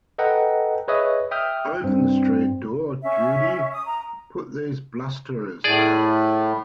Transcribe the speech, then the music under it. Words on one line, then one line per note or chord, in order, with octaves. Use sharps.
Open the street door, Judy; put these blusterers out!
A4 B4 D#5 F#5 G5 A#5
G#4 B4 C#5 D#5 E5 D#6
E5 G5 D#6 F6 G6
G2 C4
C#4 E5
D#6
A#5
A2 G#4 D5